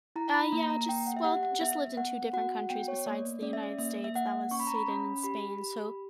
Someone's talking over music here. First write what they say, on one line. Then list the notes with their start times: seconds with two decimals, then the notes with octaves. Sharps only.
uh, yeah, just well, just lived in two different countries besides the United States. That was Sweden and Spain. So
0.16 E4 A#5
0.34 B5
0.52 A#3 A#5
0.70 A#5
0.88 A#3 G5
1.07 F#5
1.17 E5
1.24 G4 F#5
1.43 F#5
1.61 B3 E5
1.97 B3 F#5
2.33 F#4 F#5
2.51 F#5
2.70 B3 G5
2.88 C#5
3.06 A#3 D5
3.42 C#4 D5
3.53 E5
3.63 D5
3.79 A#3 E5
4.04 E5
4.15 A#3 F#5
4.51 C#4 C#6
4.60 B5
4.67 A#5
4.75 B5
4.88 C#4
5.23 G4 B5
5.61 G4